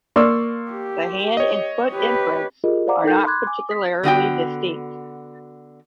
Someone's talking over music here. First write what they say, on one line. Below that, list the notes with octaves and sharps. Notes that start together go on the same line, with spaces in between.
The hand and foot imprints are not particularly distinct.
A#3 D5 C6 C#6 E6
G4
C#5 D#5
G4 B4
F4 G4 G#4 A#4 D#5
C5 D5 F5 F#5 A#5 D6
D#4 A4 A#4 G5 G6
B5 C6 D6 F#6 G#6
G#5 D6
D#6 B6
D3 B3 F#4 G5